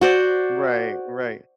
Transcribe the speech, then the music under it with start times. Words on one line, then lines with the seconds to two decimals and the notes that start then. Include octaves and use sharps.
Right, right,
0.01 F#4 C5 D5